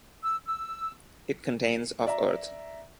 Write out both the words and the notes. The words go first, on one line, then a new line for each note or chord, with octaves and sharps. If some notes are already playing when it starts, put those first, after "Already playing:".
It contains of earth.
E6
E6
D5 E5 A#5